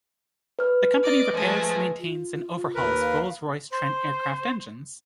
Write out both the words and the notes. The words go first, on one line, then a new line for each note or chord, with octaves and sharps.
The company repairs, maintains and overhauls Rolls-Royce Trent aircraft engines.
B4 F6
D5 D#5 D6
F3 G#3 A3
F4
D#2 A#4 B4
F5
C5